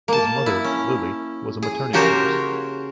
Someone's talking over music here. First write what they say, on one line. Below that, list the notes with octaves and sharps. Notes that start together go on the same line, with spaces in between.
His mother, Lily, was a maternity nurse.
A#3 A5
E4
C#4
G#4
C#3 F#4 G4 A#4 C5 C#5